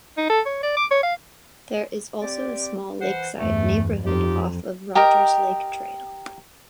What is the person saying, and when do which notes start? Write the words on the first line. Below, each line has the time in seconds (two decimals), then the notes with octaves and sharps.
There is also a small lakeside neighborhood off of Rogers Lake Trail.
0.18 D#4
0.30 A4
0.46 C#5
0.63 D5
0.77 D6
0.91 C#5
1.03 F5
2.21 C4 G4 D5
3.00 E3 C5 F#5
3.37 E2 G2 A3
4.05 F2 D#4 F4 G4
4.95 G4 A#4 D#5 G5